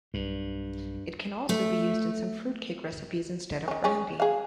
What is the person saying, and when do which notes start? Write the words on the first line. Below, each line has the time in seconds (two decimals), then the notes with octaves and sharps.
It can also be used in some fruitcake recipes instead of brandy.
0.14 B1 G2
1.49 A3
3.68 D#3 C#4
3.84 C#4 G#4
4.20 G#4 F5